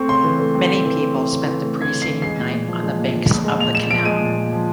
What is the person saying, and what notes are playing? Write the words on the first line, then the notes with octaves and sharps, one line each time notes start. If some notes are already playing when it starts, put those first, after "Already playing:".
Many people spent the preceding night on the banks of the canal.
Already playing: A3 C4 C#6
C#3 C6
E3
A3
C4
C#3
E3
A3
C4
C#3
E3
A3
C4
G#6
C#3
C7
E3
G#3 C7
A#2
A#2
F3
G#3
A#2
A#2
F3
G#3
A#2 F7
A#2 E7
F3 D7
G#3 D#7
A#2
A#2
F3